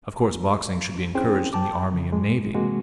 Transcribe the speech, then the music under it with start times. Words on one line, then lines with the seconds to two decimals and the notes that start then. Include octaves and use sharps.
Of course boxing should be encouraged in the army and navy.
1.15 C4 C#4 E4 G#4 C5 G5
1.53 G5 A5 D6
1.92 C#3 E3 F3
2.12 A2 G#3
2.54 C3 E3 G#3 A#3 C4 F#4